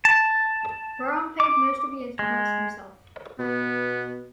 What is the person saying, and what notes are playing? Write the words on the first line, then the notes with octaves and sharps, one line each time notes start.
Brown played most of the instruments himself.
A5
D6
G#3
B2 B3